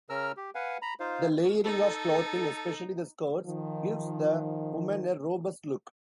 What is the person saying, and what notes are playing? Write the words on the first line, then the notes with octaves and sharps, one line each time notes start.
The layering of clothing, especially the skirts, gives the women a robust look.
C#3 C#4 A#4 A#5 E6 F6
G4
B4 F5 F#5 G#5
A#5 B5
D#4 F4 C5 F5
D#4 A4
D#3 F3